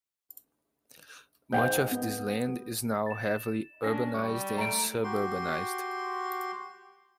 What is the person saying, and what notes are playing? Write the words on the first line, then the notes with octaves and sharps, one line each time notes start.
Much of this land is now heavily urbanized and suburbanized.
G#2 G4 F5 G6
B3
A6 E7
C#4 D4 G#5 A#6
G3 C#6 D6
A3 A#5 D7
F#4 G4 C6